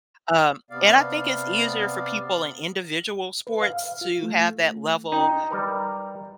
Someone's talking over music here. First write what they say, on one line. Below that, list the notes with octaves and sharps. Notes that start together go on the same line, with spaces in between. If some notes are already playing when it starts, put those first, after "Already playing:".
Um, and I think it's easier for people in individual sports to have that level
C3 B3 D5 F5
B4
F5
F4
A3
D#4 G5
G3 A#4 B4